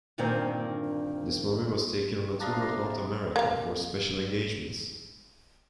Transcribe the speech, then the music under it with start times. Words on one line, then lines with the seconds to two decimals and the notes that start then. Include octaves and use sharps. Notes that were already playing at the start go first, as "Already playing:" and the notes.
This movie was taken on a tour of North America for special engagements.
0.18 D2 G2 A#2 D#3 A#3 C4
2.40 C3 D4 F5 A#5 D#6
3.36 A#3 F5